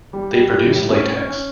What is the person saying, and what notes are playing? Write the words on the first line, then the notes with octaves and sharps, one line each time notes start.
They produce latex.
G3
G4
G3
A2
C#4
C#4
C#4